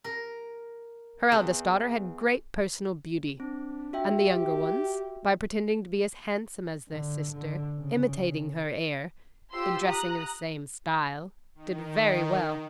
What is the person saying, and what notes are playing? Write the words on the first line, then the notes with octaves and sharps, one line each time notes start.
Her eldest daughter had great personal beauty, and the younger ones, by pretending to be as handsome as their sister, imitating her air, and dressing in the same style, did very well.
A#4
E2
C4 D4
F#4 E5 G5
G4
D3
D3
C#3
F4 G4 C5 C6 E6
A#5 D#6 F#6
D#3